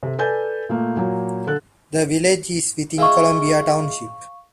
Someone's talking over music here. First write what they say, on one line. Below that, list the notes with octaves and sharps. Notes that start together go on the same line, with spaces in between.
The village is within Columbia Township.
C3 A4
A4 B4 D5 G#5 G6
A#2 A3 A#3
A#2 F#3 A#3
D3 A4 F#6
G#3 E4 F4 F5 C#6